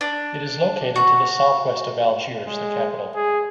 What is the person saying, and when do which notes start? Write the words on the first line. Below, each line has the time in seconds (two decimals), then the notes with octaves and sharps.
It is located to the southwest of Algiers, the capital.
0.01 D4
0.96 F#4
2.47 G#3
3.15 G#4